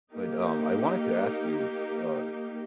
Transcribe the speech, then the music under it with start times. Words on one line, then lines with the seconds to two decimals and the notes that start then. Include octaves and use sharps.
But, um, I wanted to ask you, s uh,
0.13 A#3 D#4 G4